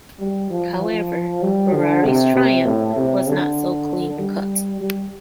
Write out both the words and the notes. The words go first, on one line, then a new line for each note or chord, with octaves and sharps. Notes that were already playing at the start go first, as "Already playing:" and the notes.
However, Ferrari's triumph was not so clean-cut.
G3
F3
F3
G3
D3
C3
C3
A2
C3
D3
G3
G3